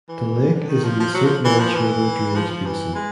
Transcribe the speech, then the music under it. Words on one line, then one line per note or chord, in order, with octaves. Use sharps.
The lake is in the Saint Lawrence River drainage basin.
E3
D3
D#3
F3
F3
F#3
F3
E3
F3
E3
F3
F3
E3
G#3